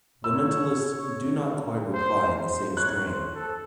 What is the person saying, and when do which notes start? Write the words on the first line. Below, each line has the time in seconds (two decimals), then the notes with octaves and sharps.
The mentalists do not quite reply in the same strain.
0.24 C#5 E6
1.93 C5
2.35 C5
2.77 C#5 F#6
3.06 C5
3.34 A4